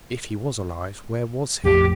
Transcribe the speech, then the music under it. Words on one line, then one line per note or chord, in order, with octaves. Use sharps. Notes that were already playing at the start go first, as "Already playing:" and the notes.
If he was alive, where was he?
A#1 F2 A2 G4